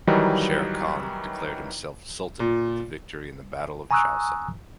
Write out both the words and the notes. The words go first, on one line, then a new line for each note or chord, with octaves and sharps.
Sher Khan declared himself Sultan with the victory in the battle of Chausa.
D#3 E3 F#3 G3 D#4
A#2
G#5 A#5 C#6 D#6 E6 F#6